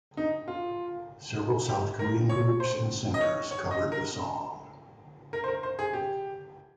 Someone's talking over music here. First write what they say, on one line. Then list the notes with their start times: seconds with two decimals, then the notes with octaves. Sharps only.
Several South Korean groups and singers covered the song.
0.17 D#4
0.48 F4
1.69 G4
1.99 A#4
2.29 C#5
2.60 C5
3.14 D#5
3.21 C#5
3.51 C#5
3.71 D#5
3.92 A#4
5.33 A#4
5.44 C5
5.48 A#4
5.63 C5
5.79 G#4
5.93 G4